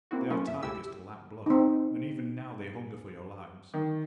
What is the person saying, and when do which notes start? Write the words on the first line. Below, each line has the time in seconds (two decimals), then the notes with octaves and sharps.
They are tigers to lap blood, and even now they hunger for your lives.
0.11 A#3 C4 E4 F#4
0.30 F#3 A3 A#3 C#4 E4 F4
0.47 F#2 E5
0.63 C#2 A3 E4 G4 E6
1.46 C4 D#4
3.74 D#3